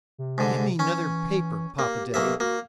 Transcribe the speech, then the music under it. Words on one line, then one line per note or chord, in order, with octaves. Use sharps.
"Give me 'nother paper, Papa-day."
C3
G#2 D3
E3 C#4
A#3 G4
B1 A#3 E5
A#3 F#4